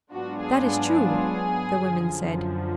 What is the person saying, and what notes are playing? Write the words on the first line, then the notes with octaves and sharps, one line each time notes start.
"That is true," the women said.
G#2 F#3 B3 D4 F4 F#4
G#4
G#4
F#2 D3 F3